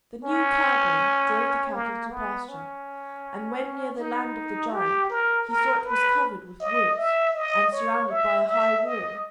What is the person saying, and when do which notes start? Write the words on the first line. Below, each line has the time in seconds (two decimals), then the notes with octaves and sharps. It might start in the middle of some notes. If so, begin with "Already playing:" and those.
The new cowboy drove the cattle to pasture, and when near the land of the giant, he saw it was covered with woods and surrounded by a high wall.
0.24 C#4
1.74 A#3
2.11 B3
2.49 C#4
3.98 D#4
4.73 G4
5.10 A#4
5.48 A#4
5.85 B4
6.61 D#5
6.98 E5
7.35 D#5
7.72 C#5
8.11 E5
8.47 E5
8.85 D#5